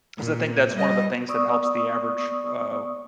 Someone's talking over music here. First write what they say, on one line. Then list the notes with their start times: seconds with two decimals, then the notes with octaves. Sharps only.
'Cause I think that's one of the things that helps the average, uh,
0.18 A#2
0.74 G3 D#5
1.28 B3 D5 C#6 D#6 E6